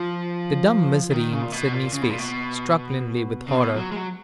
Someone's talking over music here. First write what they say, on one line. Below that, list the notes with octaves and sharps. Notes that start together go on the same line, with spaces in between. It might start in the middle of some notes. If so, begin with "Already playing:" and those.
The dumb misery in Sydney's face struck Linley with horror.
Already playing: F3
D#3
C#3
A#2
B2
A#2
C#3
B2
A#2
B2
C#3
B2
F#3
G#3
F#3